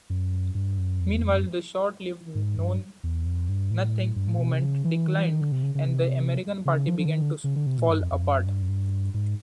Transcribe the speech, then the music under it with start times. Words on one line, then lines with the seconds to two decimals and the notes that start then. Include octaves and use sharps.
Meanwhile, the short-lived Know-Nothing movement declined and the American Party began to fall apart.
0.10 F#2
0.55 G2
0.78 F#2
1.00 F2
1.11 E2
1.22 F2
1.34 F#2
2.35 G#2
2.58 G2
3.03 E2
3.26 F2
3.49 G2
3.71 A2
4.16 G2
4.28 A2
4.39 B2
4.50 C3
4.62 C#3
4.85 E3
5.07 D#3
5.18 E3
5.30 D#3
5.41 D3
5.52 C3
5.63 C#3
5.75 C#3
5.86 C3
6.65 C#3
6.88 F3
6.99 F3
7.05 D3
7.10 D#3
7.21 D3
7.44 C#3
7.56 D3
7.66 C3
7.78 A#2
7.89 G2
8.01 F2
8.12 F2
8.23 F#2
8.46 G2
8.62 F#2
8.69 G2
9.14 G#2